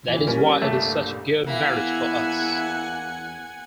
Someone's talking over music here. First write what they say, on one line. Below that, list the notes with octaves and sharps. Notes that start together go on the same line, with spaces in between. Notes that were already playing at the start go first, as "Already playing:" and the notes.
That is why it is such a good marriage for us.
A#2 E3
G3 C#4 A#4
G1 C2 A3
E2 A#3 E4 F#5 G#5